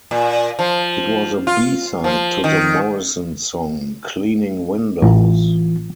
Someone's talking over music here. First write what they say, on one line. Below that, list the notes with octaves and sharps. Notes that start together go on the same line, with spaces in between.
It was a B-side to the Morrison song "Cleaning Windows".
A#2
F3
F4
F3
D#3
A1 E3 F4